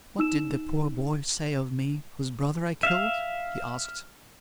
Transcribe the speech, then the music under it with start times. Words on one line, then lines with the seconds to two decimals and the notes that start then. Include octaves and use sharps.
"What did the poor boy say of me, whose brother I killed?" he asked.
0.19 D#4 E6 E7
2.83 E5 F5